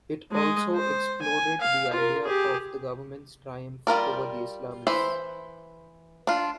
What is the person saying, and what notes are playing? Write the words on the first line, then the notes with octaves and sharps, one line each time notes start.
It also "exploded" the idea of the government's triumph over the Islamists.
G#3 D#5
C5
G#5
F5
F4 A#4
G4 G#4
G3 F4 A#4 D5
E3 C5 E5
D4 F4